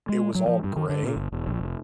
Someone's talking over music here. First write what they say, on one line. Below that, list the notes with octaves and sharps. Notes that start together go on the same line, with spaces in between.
it was all gray,
G#3
F#3
F3
G2
D#3
D3
A#2
G1
E1
A#1
F1